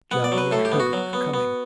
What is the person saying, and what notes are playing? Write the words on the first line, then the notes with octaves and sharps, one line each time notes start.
Johnny and Herbert are coming.
B3 F#5
D5
F#3
B4
A2 A4
G4
B3
F#4
F#3
B3
B3